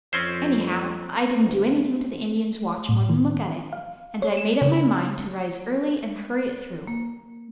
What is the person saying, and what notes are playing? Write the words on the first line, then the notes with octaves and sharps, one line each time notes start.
Anyhow I didn't do anything to the Indian's watch more than look at it, and I made up my mind to rise early and hurry it through.
F2 C4 C#4 C5
D2
A2
D#3
F5
C#5
E7
C#3
A#3